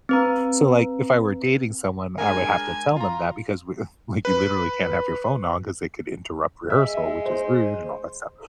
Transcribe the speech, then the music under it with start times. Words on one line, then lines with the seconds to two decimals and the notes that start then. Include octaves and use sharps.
So, like, if I were dating someone, I would have to tell them that because we like, you literally can't have your phone on 'cause they could interrupt rehearsal which is rude and all that stuff.
0.09 C4 B4 A#5
2.18 G#3 D4 A#4 G#5
2.96 F4 A#5
4.25 B4
6.70 G#3 E5
7.26 C5